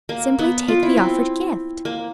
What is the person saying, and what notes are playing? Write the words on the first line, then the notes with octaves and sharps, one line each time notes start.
"Simply take the offered gift."
A#3
B3
F4
E4
C4
A#3